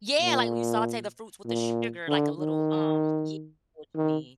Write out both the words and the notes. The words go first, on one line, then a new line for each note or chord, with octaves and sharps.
Yeah, like, when you saute the fruits with the sugar, like, a little um Y what you mean.
A#2
A#2
D3
D#3
D#3